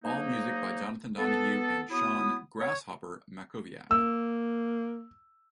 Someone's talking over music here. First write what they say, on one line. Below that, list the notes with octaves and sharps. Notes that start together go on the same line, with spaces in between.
All music by Jonathan Donahue and Sean "Grasshopper" Mackowiak.
G#2 F#3 A#3 D#4
B3 A4
F#3 B3 E4 D#6
C#5
A#3 E6